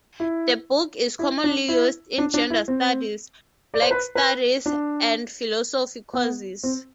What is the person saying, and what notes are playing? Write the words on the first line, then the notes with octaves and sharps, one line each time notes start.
The book is commonly used in gender studies, Black studies, and philosophy courses.
E4
E4
D4
E4
D4
D4
E4
C4
D5
C5
B4
B4
D4
B3
C4